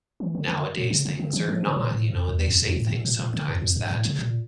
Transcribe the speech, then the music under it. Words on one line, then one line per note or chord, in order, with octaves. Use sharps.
nowadays things are not, you know, and they say things sometimes that
E3
D3
D3
A#2
C#3
D3
D3
E3
F3
D3
A#2
A2
F2
E2
F2
F2
A2
A#2
A#2
A#2
D3
F2
F2
G2
A2
C#3
A#2